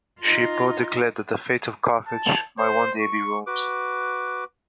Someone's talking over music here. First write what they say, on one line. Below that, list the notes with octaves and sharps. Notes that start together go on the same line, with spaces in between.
Scipio declared that the fate of Carthage might one day be Rome's.
D#4 F4
A5
C5
C#6
F#4 B4 D6